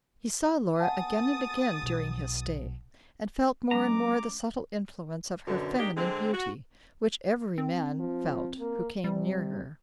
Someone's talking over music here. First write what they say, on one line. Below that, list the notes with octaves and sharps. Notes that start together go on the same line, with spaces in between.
He saw Laura again and again during his stay, and felt more and more the subtle influence of her feminine beauty, which every man felt who came near her.
F#5 G#5 A5 D#6 A6
B1
F#3 G#3 B3 C#4 D#5 A#5 D6
F#2 B2 D3
A#3 D4 D#4 G4
D3 G#3 C4
F#4
C4
F3
A#3
C3 G3